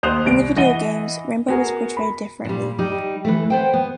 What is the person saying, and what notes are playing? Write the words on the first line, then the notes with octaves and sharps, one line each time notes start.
In the video games, Rainbow is portrayed differently.
D#2 C5 D#6 F#6 F7
C2 D7
E3 D#5 F#5 D#7 G7
B3 F#4 G#4 A#4
B5
A#2 G3
G3 D#4 G4
E3 A3
B3 C5 G5
B3